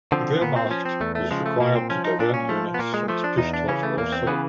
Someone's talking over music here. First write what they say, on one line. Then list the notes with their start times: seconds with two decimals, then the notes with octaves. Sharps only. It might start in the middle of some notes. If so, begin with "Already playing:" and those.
The Wehrmacht was required to divert units from its push towards Warsaw.
0.12 D3 F3 C4
0.42 A#2 B3
0.56 C4
0.71 F3 C#4
0.85 C4
1.01 E2 A3
1.15 A3
1.31 C#3 F3 G#3
1.46 A3
1.60 A#2 A#3
1.75 C4
1.90 F3 C#4
2.05 D#4
2.19 A#2 D4
2.34 C#4
2.49 F3 A3
2.74 B3
2.79 A#2 A#3
2.94 G#3
3.08 F3 A3
3.24 D4
3.38 E2 D#4
3.54 D4
3.68 C#3 E3 C#4
3.83 A3
3.98 E2 A#3
4.12 C4
4.27 C#3 E3 B3